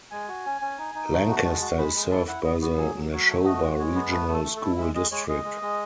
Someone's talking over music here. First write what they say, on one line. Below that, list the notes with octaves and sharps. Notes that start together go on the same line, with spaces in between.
Lancaster is served by the Nashoba Regional School District.
G#3 G#5
F#4
C#4
C#4
D#4
D#4
A3
F#4
G#3 A5
F#4
G#3 B5
G#3
E4 A5
E4 F#5
B3 D#5
B3 F#4
F#3 G#4
F#3
F#3 C#5
A3
F#4 D#5
G#3
G#3 C#5
B3
A3 B4
A3
A4
A3
E4 A4
G#3 E5
G#3 D#5
G#3 C#5
G#3 D#5
G#3
G#3